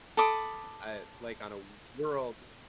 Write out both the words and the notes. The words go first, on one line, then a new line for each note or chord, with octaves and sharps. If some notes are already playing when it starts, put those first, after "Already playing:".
Uh, like, on a w world
A4 B5 D6 D#6